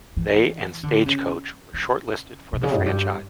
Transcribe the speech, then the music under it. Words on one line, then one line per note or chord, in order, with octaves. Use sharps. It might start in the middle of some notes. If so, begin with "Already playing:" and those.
They and Stagecoach were shortlisted for the franchise.
E3
D3
C#3
C#3
B2
C#3
F#2
G2